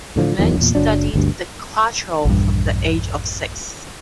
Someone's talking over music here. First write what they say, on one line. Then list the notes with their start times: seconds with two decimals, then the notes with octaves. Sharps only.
Domenech studied the cuatro from the age of six.
0.16 A2 D3 F3
0.39 D1 E2 D#3 F#3
0.58 E2 A#2
0.75 F#1 F#3 D4
1.14 G1 D2 G2
2.25 A#1 E2 G2